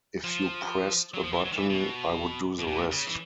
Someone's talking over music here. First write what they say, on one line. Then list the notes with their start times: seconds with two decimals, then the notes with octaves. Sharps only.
If you pressed a button, I would do the rest.
0.24 F3
1.14 F#3
1.23 F3
1.33 E3
1.45 F#3
1.52 D#3
1.57 E3
1.70 B2
2.59 B2
2.67 A#2
2.91 C#3
3.07 E3